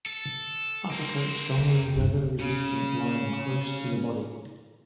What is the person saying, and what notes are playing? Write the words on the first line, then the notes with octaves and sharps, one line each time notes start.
Upper coat strongly weather-resistant lying close to body.
A4
A#3 C4
F2
D2 G2
C#3 C#4